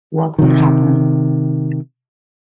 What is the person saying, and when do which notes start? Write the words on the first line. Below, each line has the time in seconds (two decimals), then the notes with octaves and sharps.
What would happen?
0.39 C3 D#3